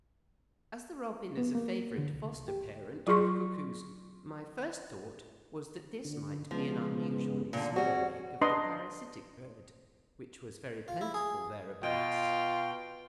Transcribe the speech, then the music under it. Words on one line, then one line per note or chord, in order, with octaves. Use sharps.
As the robin is a favourite foster-parent with cuckoos, my first thought was that this might be an unusually small egg of the parasitic bird, which was very plentiful thereabouts.
B3
A#3
D3
C2
G4
F#3 F4 G#4 C6 C#6
D3
C#3 F3 G#3 B3
A#2 D3
G3 C4 F#4 G#4 C#5
D4 B4 D#5 A#5 C6
F4
E4
G#4
B2 F4 G5